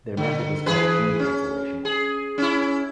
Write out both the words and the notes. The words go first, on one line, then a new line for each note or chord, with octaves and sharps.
Their method was called "hue cancellation".
D3
E3 G#4 B4
C#4
G#4
C#4 E4